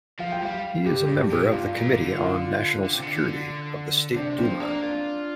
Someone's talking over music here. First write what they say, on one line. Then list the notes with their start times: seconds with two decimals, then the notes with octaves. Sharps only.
He is a member of the Committee on National Security of the State Duma.
0.20 F3 F5
0.32 G5
0.42 G3 F5
0.86 G2 G4
1.08 G2
1.30 A#2
1.52 G2 F4
1.74 A#2
1.96 D3
2.18 F4
2.84 D3
2.93 C3
3.02 D3
4.16 C3 D4
4.39 F3 C4
4.60 A#3 D4
4.82 F4